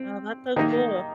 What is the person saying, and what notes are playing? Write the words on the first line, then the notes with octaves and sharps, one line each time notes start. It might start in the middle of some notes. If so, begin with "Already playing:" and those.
Oh, that's so cool.
Already playing: C4
D#3 A#3 D#4